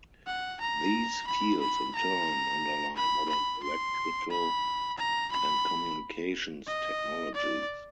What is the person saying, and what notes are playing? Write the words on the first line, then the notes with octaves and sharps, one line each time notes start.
These fields in turn underlie modern electrical and communications technologies.
F#5
A#5
B5
B5
A#5
B5
B5
C6
B5
A#5
B5
D#5
D5